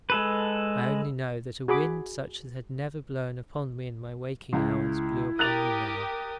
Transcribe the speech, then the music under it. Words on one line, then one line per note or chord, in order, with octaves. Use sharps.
I only know that a wind such as had never blown upon me in my waking hours, blew upon me now.
G#3 A4 B4
F#4 G#4 B5 D6
C#2 E4
G4 A#4 D#6 F#6 A6 F7